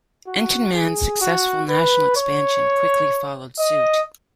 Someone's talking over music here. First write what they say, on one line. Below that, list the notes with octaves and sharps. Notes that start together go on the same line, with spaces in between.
Entenmann's successful national expansion quickly followed suit.
F#4
G#4
F#4
B4
C#5
D#5